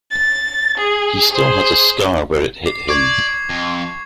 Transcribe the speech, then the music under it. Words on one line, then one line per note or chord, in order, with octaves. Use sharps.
He still has a scar where it hit him.
A6
G#4
G#4 C5
D6 C7
D5 C#6 G#6
F2